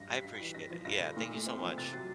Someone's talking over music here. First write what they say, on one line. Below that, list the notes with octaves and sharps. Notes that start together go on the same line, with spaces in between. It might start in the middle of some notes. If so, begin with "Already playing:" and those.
I appreciate it. Yeah. Thank you so much.
Already playing: G2 F#3 A#6
G3 B6
G2
B6
E3
G2 A#6
F3
G2 A#6
D3
A#2
A3
C4
F3
C3 A6
F#3